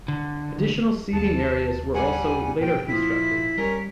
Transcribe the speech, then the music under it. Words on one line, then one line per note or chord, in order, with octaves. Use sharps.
Additional seating areas were also later constructed.
D3
D#2 A5
G3 F#5 G#5
A#2 G5
F3 E4 B6
G3 C#4 A#4